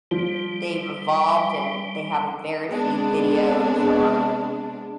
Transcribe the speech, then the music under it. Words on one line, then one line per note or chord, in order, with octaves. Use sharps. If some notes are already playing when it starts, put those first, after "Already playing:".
they've evolved and they have embarrassing videos or,
F3 G3
C3 G#3 B3 D4